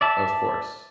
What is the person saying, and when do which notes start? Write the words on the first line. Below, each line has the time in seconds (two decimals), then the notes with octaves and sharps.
Of course.
0.01 D5 E5 A5